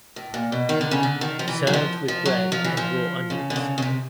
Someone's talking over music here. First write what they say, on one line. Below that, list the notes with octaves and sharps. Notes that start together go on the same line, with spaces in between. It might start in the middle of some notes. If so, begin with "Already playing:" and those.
Served with bread and raw onions.
A2
A#2
B2
D#3
D3
C#3
D3
D#3
F3
E3
F#3
F3
F3
F#3
F3
E3
F3
C#3
D3
C#3
C#3
C3